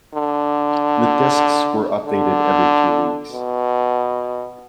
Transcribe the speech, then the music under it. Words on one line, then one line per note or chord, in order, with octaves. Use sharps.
The discs were updated every few weeks.
D3
D3
B2